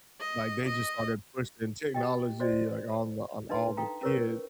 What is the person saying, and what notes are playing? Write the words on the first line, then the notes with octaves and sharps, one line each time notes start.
like, they just started pushing technology, like, on the on all the kids,
D#5
D#5
G4 D#5 G5
F#4 C5 D5 D#5
D4 D#4 B4 C6
D#4 A4 F5 G5 A#5
C#4 E4 A#4 B4 C#5 C#6